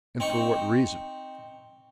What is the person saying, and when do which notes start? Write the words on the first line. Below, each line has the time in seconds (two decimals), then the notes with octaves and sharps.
"And for what reason?"
0.20 C4 D#4 C#6